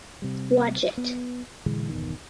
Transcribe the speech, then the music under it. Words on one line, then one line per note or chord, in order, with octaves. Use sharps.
Watch it.
C3 G3
B3
A#2 D3 E3 G#3
G1 E2 B2 D#3